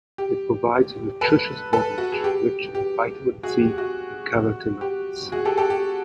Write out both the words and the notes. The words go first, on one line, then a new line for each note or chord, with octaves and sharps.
It provides a nutritious beverage, rich in vitamin C and carotenoids.
G4
A4 B4
A4 B4
F#4
G#4
G4
G4
F#4 G#4
G4
F#4
G4
F#4 G#4
G4 A4
G4 A4
G4